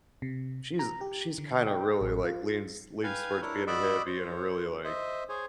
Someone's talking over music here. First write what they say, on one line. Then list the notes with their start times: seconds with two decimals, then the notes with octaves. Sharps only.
she's, she's, kinda, really, like, leans leans towards being a hippie in a really, like,
0.22 C3
0.79 A#5
1.01 G4
1.38 D3
1.67 G5
2.01 A1
2.25 F4
3.03 B4 F5 G5 G#5
3.42 D4 E4 A#4 C#5
3.67 F#4 D5 D#5 B5 D6 E6
4.06 C5 C#5
4.84 C5 D#5 E5
5.29 G#4 C5 C#5